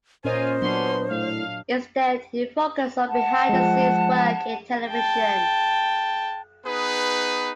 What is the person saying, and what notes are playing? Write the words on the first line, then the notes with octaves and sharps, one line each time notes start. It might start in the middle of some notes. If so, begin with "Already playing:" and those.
Instead he focused on behind-the-scenes work in television.
A#2 C#4 F4 A#4 C5 D#5 G#5
F#3 B3 C#4 D4 C6
A2 F5
F#5 A5
F3 G#3
G5 A5
B3 D#4 G#4 B4